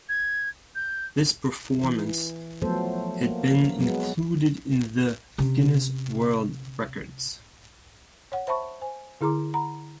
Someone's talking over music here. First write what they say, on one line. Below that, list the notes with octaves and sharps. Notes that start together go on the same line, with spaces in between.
This performance had been included in the Guinness World Records.
G#6
G6
E3
F3 F#3 A3 B3 A4 C5
A#3
F#3 G#3 B3
C3 C#4
C#5 F#5
C5 E5 A5 B5 C#6
C5 G#5
D3 E4 G#4 A#5 C6 D6
F#5 A#5 B5